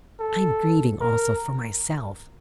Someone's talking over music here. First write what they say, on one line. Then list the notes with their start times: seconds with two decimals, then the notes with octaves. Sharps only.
I am grieving also for myself.
0.20 A4
1.01 A#4